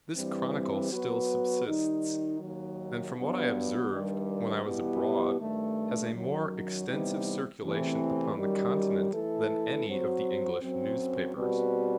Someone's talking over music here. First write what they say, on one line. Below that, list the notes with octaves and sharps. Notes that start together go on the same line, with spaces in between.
This Chronicle still subsists, and from what I observed, when I was abroad, has a more extensive circulation upon the Continent than any of the English newspapers.
G2 E3 G3 C4
F#3 B3 F#4 B4
D#3 G3 D#4
D#2 D#3 F#3
G2 F#3 B3
G2 D#3 G3
B2 G3 B3 E4 G4
G2 D#3 A3
F#2 D#3 F#3
C3 E3 G3 B3 D#4
E2 C3 E3 A3 C4
F#2 D#3 G3
E3 A3 E4 A4
F#3 C4 F#4 C5
F#2 F#3 C4
B2 G3 C4 F#4 B4